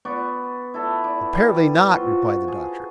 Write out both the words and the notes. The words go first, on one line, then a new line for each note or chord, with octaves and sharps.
"Apparently not," replied the doctor.
B3 D5 C#6
E4 A4
D5
G3
F4 F#4 C5
G#4